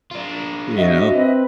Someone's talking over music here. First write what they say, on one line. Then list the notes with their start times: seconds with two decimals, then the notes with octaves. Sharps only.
You know?
0.11 D4 F4
0.76 F#4 D#5 E5
1.13 C4 B4